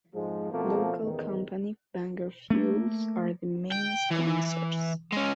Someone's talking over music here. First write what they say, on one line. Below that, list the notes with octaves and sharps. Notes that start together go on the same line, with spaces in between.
Local company Bangor Fuels are the main sponsors.
F2 G#2 F3 G#3
B2 F3 A3 A#3 C4
A1 E2 D#3
A3 A#3
G5
E3
G#3 C#4